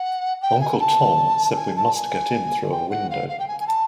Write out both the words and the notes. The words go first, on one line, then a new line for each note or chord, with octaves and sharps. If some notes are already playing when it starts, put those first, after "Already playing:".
Uncle Tom said we must get in through a window.
Already playing: F#5
G5
G#5
A5
G#5
A5
G#5
G5
F#5
F5
F5
G5
G#5
G#5
A5